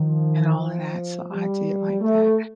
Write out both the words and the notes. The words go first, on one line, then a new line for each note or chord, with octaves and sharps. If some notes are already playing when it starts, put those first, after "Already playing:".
and all of that so I did like that.
Already playing: D#3 F3
G3
A3